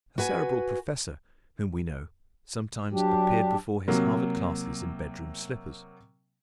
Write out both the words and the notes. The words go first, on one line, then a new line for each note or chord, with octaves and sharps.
A Cerebral professor whom we know sometimes appeared before his Harvard classes in bedroom slippers.
F#4 B4 G#5
F#3 D4 G4
C3 F#3 A#3